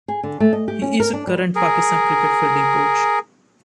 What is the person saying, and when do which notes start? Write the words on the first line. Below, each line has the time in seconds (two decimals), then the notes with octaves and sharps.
He is the current Pakistan cricket fielding coach.
0.08 G#4
0.23 D3
0.40 A3
0.53 D#5
0.68 G4
0.82 C#4
1.00 A#4
1.13 D4
1.27 G3
1.55 G#4 A#4